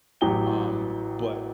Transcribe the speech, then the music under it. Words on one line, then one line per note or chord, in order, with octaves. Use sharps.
Um, but
A1 F#3 G4 G7